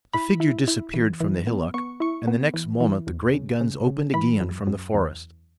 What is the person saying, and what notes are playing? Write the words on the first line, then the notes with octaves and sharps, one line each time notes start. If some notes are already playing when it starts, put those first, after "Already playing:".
The figure disappeared from the hillock and the next moment the great guns opened again from the forest.
E4 B5
E4
E4
E3
E3
B3
B3 C#6
E4 C#6
B3
E3
E3
E2
C#3
C#3
C#3
E3 B5
F#2
F#2
E2